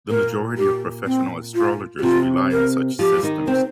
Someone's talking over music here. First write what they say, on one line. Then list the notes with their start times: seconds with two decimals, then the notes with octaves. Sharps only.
The majority of professional astrologers rely on such systems.
0.10 A#2 A#3 A#4
0.58 G4
1.06 C4
1.55 F4
1.99 G4
2.02 C3 C4 F4
2.52 A#4
2.99 F3 F4 G4
3.23 D#3 D#4
3.47 C3 C4 C5